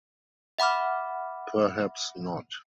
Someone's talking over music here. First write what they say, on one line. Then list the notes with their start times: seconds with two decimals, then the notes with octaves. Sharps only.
Perhaps not.
0.58 E5 F#5 B5 D6 F6